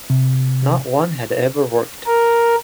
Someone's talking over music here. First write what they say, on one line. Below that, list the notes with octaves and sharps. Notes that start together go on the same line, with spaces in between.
Not one had ever worked.
C3
A#4